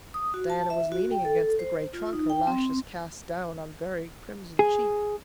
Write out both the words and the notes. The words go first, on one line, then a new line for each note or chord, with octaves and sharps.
Diana was leaning against the gray trunk, her lashes cast down on very crimson cheeks.
D#6
F#4
A5
E5
F#4
G5
A4
C5
F4
D#4
G5
C4
G#4